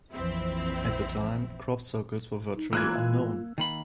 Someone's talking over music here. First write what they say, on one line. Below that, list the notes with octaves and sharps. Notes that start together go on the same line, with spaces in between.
At the time, crop circles were virtually unknown.
A#1 F2 E3 C4 E4
D#4
E3 G#3 A#3 F4 E6 F#6 G#6
D#3 A#3 B5